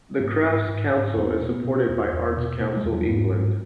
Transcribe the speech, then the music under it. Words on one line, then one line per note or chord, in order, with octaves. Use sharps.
The Crafts Council is supported by Arts Council England.
G#2 A#3
G#2
G#2
G#2
E2 B3
B3
C#4
B2
B3
B2
E2
E2
B2
B2 A#3
G#3
E2
F#3
G#2 B3
G#2